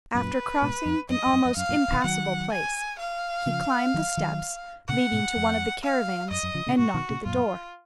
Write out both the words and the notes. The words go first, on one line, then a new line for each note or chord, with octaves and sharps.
After crossing an almost impassable place, he climbed the steps leading to one of the caravans and knocked at the door.
F#2 A#2 B4
G#2 B2
F2
F#2 D#5
F2
F#2
F2
F#2 F5
F#2 A#2
B2 D#3
D#3 F#3 F#5
G#5
F5
C#3 F3
D#3 F#3
D#3 F#3
A#2 C#3 F#5
G#2 B2
F2
F5
F#2 D#5
F#2
C#3 F3
A#2 C#3
G#2 B2 F#4
B2 D#3
A#2 C#3
F#2 A#2 F4